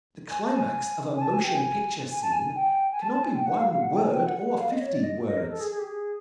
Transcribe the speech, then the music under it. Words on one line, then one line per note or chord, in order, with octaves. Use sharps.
The climax of a motion picture scene cannot be one word or fifty words.
G#5
A5
G#5
G#5
A5
G#5
G5
G#5
G#5
A5
G#5
G5
G#5
A5
A5
G#5
G5
F#5
F5
F5
F#5
G5
G#5
G5
F#5
F#5
F#5
F5
D#5
C#5
D5
D#5
D#5
A#4
A4
G#4
G#4
G4
G#4